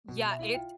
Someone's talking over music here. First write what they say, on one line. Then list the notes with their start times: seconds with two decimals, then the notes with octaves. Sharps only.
Yeah, it
0.09 B2
0.24 B2
0.31 E5
0.39 E4 F5
0.54 F4 G5